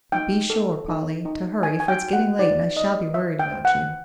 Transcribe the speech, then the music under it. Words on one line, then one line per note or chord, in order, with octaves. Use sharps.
But be sure, Polly, to hurry, for it's getting late, and I shall be worried about you.
D#4 G5
A4
D#4
D#4
D#4 G#5
G#5
G5
F#4
F#5
D#4 D5
D#4 D#5
C5 E5
G5
C5
F#5